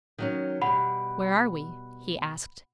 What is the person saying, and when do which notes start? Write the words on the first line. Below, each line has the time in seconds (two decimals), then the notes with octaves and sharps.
'Where are we?' he asked.
0.18 D#3 F#3 C#4
0.62 B2 G3 F#5 B5